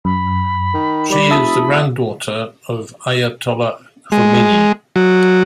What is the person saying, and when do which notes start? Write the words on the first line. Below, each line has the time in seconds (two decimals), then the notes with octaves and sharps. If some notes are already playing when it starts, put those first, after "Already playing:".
She is the granddaughter of Ayatollah Khomeini.
0.05 F#2 B5
0.74 D#3
1.10 G3 D5 B5
1.31 F1 E5 A5 D#6
4.12 G#3
4.96 F#3